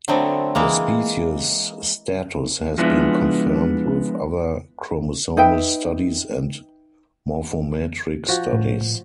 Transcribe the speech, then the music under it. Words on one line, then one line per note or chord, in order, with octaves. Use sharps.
The species status has been confirmed with other chromosomal studies and morphometric studies.
D3 F#3 A3 B3 C4
E3 G#3 A#3
F3 G#3 B3 D4 E4
D#4 B4 E5 G5
F3 F#4
A2